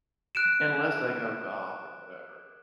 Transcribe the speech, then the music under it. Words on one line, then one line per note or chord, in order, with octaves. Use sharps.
unless they go goth, or whatever.
F#6 D7 E7